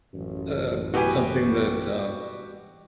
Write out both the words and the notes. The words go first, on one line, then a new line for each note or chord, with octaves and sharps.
uh, something that's, um
A1 F#2
B2 E3 F#4 G4 E5 G#5 B5